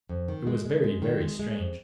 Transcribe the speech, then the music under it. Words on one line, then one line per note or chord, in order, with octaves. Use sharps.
It was very, very strange.
F2
D#3
G#3
G#3
G#3
D#3
G#3
G#3
F2